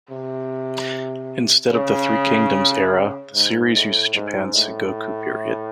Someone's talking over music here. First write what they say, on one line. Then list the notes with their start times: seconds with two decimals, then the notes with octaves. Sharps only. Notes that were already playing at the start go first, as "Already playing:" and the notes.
Instead of the Three Kingdoms era, the series uses Japan's Sengoku period.
0.11 C3
1.72 C#3
3.34 G#2
3.75 A2
4.15 G#2
4.55 A2